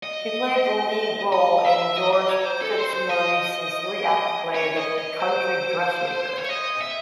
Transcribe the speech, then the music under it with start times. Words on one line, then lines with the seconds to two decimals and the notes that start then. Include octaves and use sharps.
She played the lead role in George Fitzmaurice's three-act play "The Country Dressmaker".
0.03 D#5
1.33 D#5
1.65 E5
1.97 D#5
2.13 D#5
2.29 C#5
2.45 C5
2.62 A4
2.78 C5
2.93 C5
3.09 D#5
4.55 C#5
4.77 D#5
4.98 D#5
5.20 C5
6.38 C#5
6.49 D#5
6.81 E5